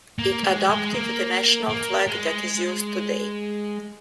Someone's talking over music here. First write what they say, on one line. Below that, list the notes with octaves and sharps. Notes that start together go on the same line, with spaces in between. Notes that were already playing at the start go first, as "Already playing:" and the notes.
It adopted the national flag that is used today.
A#3
G#3
G#3
A#3
A#3
G#3